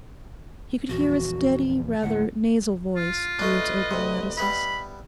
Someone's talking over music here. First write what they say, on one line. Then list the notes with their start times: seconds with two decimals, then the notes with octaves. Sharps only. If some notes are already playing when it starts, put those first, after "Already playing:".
He could hear a steady, rather nasal voice through its open lattices.
0.89 A#1 E2 F#4
2.03 D2 A2 F#5
2.96 F4
3.39 A3 D4 B4 D#5
3.91 D2 C3
4.37 G3 B3 E4 B5